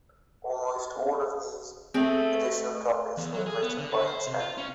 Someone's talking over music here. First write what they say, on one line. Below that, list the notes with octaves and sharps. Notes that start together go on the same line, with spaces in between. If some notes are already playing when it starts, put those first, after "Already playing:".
Almost all of these additional topics were written by Chen.
A3 C4 G#4
E2
F#3
G#4
B3
D3
B4
C5
C3
F4
C#4